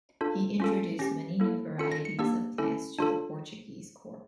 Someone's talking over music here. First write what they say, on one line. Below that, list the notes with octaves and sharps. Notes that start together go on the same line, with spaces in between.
He introduced many new varieties of plants to the Portuguese Court.
D4 F4 A4
C#4 F4 A4
C#4 G4 A#6
A#3 E4 A4
C#4 F4 A4 C#7
A#6
C#7
A#3 D4 G4 E6
C#4 E4 A4
D4 F4 A4